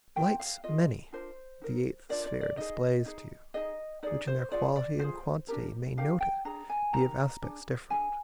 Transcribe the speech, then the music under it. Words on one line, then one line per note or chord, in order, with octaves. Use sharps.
Lights many the eighth sphere displays to you Which in their quality and quantity May noted be of aspects different.
F4 A#4 G5
F5
F4 G#4 D#5
D4 F4 A#4 C5
D#4 A#4
D4 F4 A#4 D5
D5
D5
D#4 G#4 D#5
D#4 G#4
D#4 G#4 D#5
D#4 G#4 D5
C5
F4 G#4 D5
D5
F4 G#4 C5
D4 G4 A#4
D4 G4 A#4 F5
G5
D4 G#4 A#5
G#5
D#4 G4 A#4 A#5
D4 G#4
D4 G#4 G#5